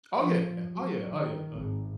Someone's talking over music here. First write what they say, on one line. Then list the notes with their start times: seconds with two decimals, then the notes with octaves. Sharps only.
Oh, yeah, yeah. Oh, yeah, oh, yeah, oh, yeah.
0.18 F3
0.75 F#3
1.10 D#3
1.54 G#1